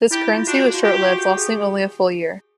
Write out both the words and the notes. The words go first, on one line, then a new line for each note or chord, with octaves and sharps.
This currency was short-lived, lasting only a full year.
E4 G4
F4
D4 F#4
F#4
F4
F#4 G4
F#4
G4
G#4